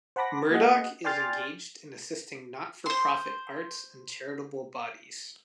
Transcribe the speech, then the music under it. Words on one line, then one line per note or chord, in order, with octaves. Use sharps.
Murdoch is engaged in assisting not-for-profit arts and charitable bodies.
C5 F#5 A5 B5 D6 A#6
A#3 F#4 G#4 D#5 F#5
D5 G5 G#5 C6 F6 A6
C5 C6